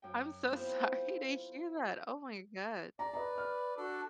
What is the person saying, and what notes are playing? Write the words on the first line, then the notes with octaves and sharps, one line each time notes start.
I'm so sorry to hear that, oh my god.
F#2 G5
B3 C4 E4 F4 A4 C5
D5 A#5
B4 D#5 A#5
F6
D4 F#4 A4 D5